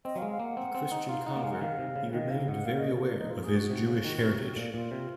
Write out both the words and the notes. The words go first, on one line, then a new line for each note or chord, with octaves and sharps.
A Christian convert, he remained very aware of his Jewish heritage.
C4 D#5
F#3 F5
G#3
F5
A#3 F#5
C4
C4
D#4
F4 F5
D#4 F#5
A#3
G#3 F5
F#5
D#3 F5
C3
C#3
D#3 D#5
C3 F5
G#2 F#5
A#2 F5
D#5
A#4
D#4
F4
G#4
F#4
C3
C#3
D#3
C3
C3
A#2
A#2 F4
C3